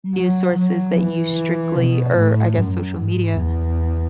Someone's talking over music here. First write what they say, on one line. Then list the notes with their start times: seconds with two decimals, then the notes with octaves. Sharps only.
news sources that you strictly or I guess social media,
0.15 F#3
0.56 F#3
0.95 E3
1.76 B2
2.16 A2
2.57 F#2
2.98 G#2
3.38 E2